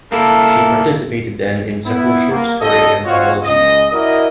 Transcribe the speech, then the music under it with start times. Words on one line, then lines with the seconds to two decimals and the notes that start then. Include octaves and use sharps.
She participated then in several short story anthologies.
0.12 A#3 E4 A4
1.86 B3 E4
2.30 A#3
2.61 G1 F#2 G3 A4 D#5
3.05 C4 F4 F#4 C#5
3.43 C#2 D#5
3.90 E4 F#4 A#4 D5 D#5